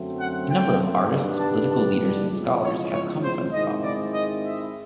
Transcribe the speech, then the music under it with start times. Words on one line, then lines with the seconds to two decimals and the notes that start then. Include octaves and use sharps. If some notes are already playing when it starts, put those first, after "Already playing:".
A number of artists, political leaders and scholars have come from the province.
Already playing: F#2 D3 F#3 A3 C4
0.17 F#5
0.48 G5
1.08 G2 D#3 G3 B3 D4
1.39 A5
1.70 A5
2.30 E2 C#3 F3 G#3
2.60 C#5
2.91 C#5
3.22 C5
3.52 G#2 D#3 G#3 C4 E4 D#5
3.82 D5
4.14 D#5
4.43 E5